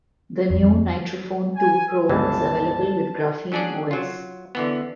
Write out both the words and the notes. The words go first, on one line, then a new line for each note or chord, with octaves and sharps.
The new Nitrophone two pro is avaiable with Graphene Os.
F2
G#5
G1 C#2 E3 A5
F#3 C#4 D4 G#4 D5
F#3 F4
D3 E3 B3